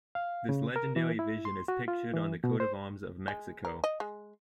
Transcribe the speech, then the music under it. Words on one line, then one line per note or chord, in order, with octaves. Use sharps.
This legendary vision is pictured on the Coat of Arms of Mexico.
F5
C#3
A#4
E3
E4
C6
F#4
F4
E3
B2
C5
G#3
A#4
D#5
G#3